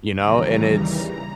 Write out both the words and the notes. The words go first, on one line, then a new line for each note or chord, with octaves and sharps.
you know? And it's
D#2 C#3 E3 G3 A#5